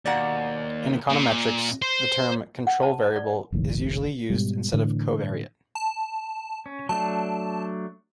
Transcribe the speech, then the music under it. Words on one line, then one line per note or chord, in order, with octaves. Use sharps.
In econometrics, the term "control variable" is usually used instead of "covariate".
D#2 B2 A#3 D5 F#5
A#2
C5
F#5
A5
D5
F1 A#1 A2 D#3
G#2 B2 G3
A2 D3 E3
A5
C#4
F#3 A3 D4 A5